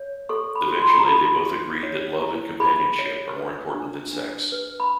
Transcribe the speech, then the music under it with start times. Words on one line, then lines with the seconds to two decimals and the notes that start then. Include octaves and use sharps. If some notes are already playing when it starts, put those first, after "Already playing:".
Eventually they both agree that love and companionship are more important than sex.
Already playing: C#5
0.29 A4 C#6
0.55 B5
0.68 F#4
0.81 C6
0.90 B5
0.99 A#5
1.07 A4 B5
1.45 F#4
1.83 C#5
2.22 E4
2.60 G#4 B5
2.99 C#5
3.36 B4
3.74 D4
4.13 D4
4.52 B4
4.80 B5